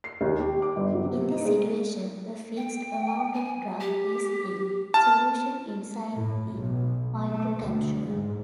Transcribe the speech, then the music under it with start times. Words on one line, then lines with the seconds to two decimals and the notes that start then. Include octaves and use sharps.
In this situation, a fixed amount of drug is in solution inside the microcapsule.
0.04 C7
0.21 D#2
0.40 G4
0.62 D6
0.76 G1
0.93 F#3
1.05 C3
1.31 D#4
1.45 G#3
2.57 G5
3.34 G#5
3.80 G4
4.94 A5 F6
6.14 A2
6.55 B1
7.29 A3
7.62 D2
8.07 G#2